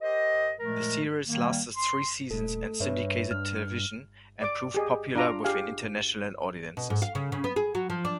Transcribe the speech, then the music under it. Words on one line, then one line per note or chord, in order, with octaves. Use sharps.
The series lasted three seasons on syndicated television, and proved popular with international audiences.
G4 A#4 C5 D#5
A#2 F3 G#3 A3 A#4
D#3 G3 A#3
C6
D#1 A3 A4
G2 B4 C#5 E5
G2 F6
D5 D6
G4 G#4 D#5
D4 F4 A#5 D6
G4 G#4 F5 G#5
B2
G#2
F5
C#3
C#3
B3
G#4
F#3
F3
D4